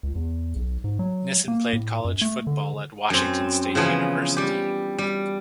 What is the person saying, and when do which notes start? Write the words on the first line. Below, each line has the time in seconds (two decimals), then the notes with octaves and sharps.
Nissen played college football at Washington State University.
0.03 C#2
0.16 E2
0.56 B1
0.84 G#2
0.99 F#3
1.48 A#3
1.73 A2
2.05 F#2
2.21 A3
2.47 D3
3.10 F#2 C4
3.75 C#3 E3 F3 B3
4.37 G3 G4
4.98 G3